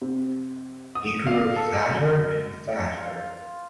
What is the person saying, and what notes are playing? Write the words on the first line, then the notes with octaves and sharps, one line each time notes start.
He grew fatter and fatter!
C3
D#6
F5
A4
F#2
F4